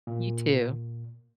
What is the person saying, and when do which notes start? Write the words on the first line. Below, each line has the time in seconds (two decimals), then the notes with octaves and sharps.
You too.
0.07 A#2